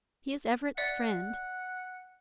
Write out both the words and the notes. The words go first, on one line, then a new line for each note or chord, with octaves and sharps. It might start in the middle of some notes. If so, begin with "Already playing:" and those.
He is Everett's friend.
D5 E5 F#5 C#7